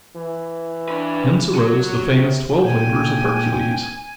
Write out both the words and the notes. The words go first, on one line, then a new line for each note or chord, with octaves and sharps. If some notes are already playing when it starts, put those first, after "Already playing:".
Hence arose the famous twelve labors of Hercules.
E3
D4 B4
F#3
C3
A#2 G5 G#5